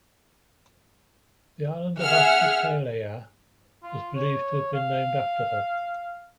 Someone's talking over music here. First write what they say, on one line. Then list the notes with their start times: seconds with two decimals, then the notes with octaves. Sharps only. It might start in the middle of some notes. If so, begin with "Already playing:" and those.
The island of Astypalaia was believed to have been named after her.
1.99 G#4 E5 F#5 E6 F6
3.83 F4
4.15 C#5
4.74 F5